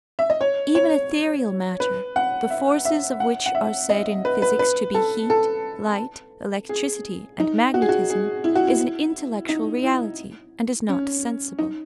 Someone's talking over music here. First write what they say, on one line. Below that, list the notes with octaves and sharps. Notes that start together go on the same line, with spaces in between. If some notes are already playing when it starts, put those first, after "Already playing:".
Even ethereal matter, the forces of which are said in physics to be heat, light, electricity and magnetism, is an intellectual reality, and is not sensible.
E5
D#5
C#5
C#5
B4
F#5
E5
E5
F#5
F#5
E5
D#5
B4
B4
B4
A4
A4
G#4
D#4
F#4
G#4
F#4
G#4
E4
F#4
E4
D#4
E4
C#4
D#4